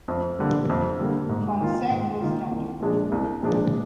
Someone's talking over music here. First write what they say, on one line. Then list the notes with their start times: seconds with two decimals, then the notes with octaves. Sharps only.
Fonsègue was skeptical.
0.08 F2
0.39 D3 G3 A#3
0.69 F2
0.99 D3 G3 A#3
1.29 G#2
1.61 D#3 A#3 F4
1.91 G#2
2.21 D#3 A#3 F4
2.51 C2
2.81 A#2 F3 G#3 D4
3.12 C2
3.42 A#2 F3 G#3 D4